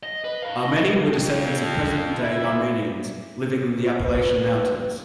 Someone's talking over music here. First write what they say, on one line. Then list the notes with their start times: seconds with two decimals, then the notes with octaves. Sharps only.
"Ahrmenee" were descendants of present-day Armenians living in the Appalachian Mountains.
0.03 D#5
0.24 B4
0.42 B4 F5
0.63 D#5
1.06 F2
2.20 E4
4.02 B4